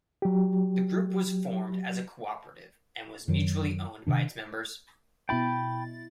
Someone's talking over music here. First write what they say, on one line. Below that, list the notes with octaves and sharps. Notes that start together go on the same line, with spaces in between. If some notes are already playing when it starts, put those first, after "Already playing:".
The group was formed as a cooperative and was mutually owned by its members.
F#3 G4
F#2 D#3 F#3
C3 D#3 D4
B2 E4 G5 B5 A6